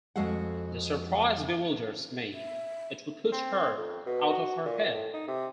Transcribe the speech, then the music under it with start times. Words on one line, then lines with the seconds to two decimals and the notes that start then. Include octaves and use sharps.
The surprise bewilders me — it will put her out of her head!
0.16 F2 G#3 F#4 A4 F5 F#5
2.33 E5
3.33 C4
3.78 F2
4.06 B2
4.30 F#4
4.66 A#2
4.94 A2
5.14 D#4
5.28 C3